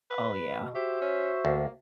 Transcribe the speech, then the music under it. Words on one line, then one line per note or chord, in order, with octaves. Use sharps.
Oh yeah.
B4
B2
F#4 G4 C5 E5
C#4
D2 A#3